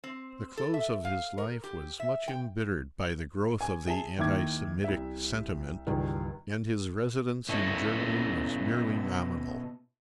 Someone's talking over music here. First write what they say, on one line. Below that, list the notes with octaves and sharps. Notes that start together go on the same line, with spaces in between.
The close of his life was much embittered by the growth of the anti-Semitic sentiment; and his residence in Germany was merely nominal.
C4
A4
E5
F5
A#4
G4
E5
G5
G#5
G#4 E5 G#5 A5
D#2 D#3 E4 D6 G#6
C2 E5
C#2 G2 D#3 E3
B2 C#4 E4 A4 C#5 D#5